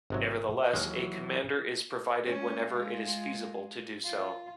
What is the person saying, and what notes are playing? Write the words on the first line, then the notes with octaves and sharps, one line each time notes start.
Nevertheless, a commander is provided whenever it is feasible to do so.
G#1 C3 F#3
D#2 E3 F#3 G#3 F6
G#3 C#4
G#3 F4
F4